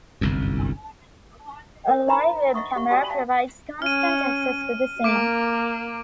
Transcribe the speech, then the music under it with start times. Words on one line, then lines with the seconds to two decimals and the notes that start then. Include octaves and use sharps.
A live web camera provides constant access to the scene.
0.21 G1 C2 F#2
1.88 A#4 C#5
2.08 D4 D#4 C5 A#5 B5
2.54 D#5 E5 F#5 C#6 D#6
2.76 G4 E5 F#5 C#6
2.90 F#4 G4 D5 G5 G#5 D#6
3.10 E5 F5 G5 A5
3.82 C#4 F6 D#7
5.04 A#3 D6 D7